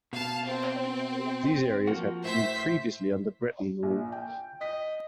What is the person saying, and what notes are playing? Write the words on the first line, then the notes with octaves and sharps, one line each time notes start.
These areas had been previously under Breton rule.
B2 F5 A5
C4
F3 A#3 F#4
A2 C5 E5 B6
A#1
G5
D#5 B6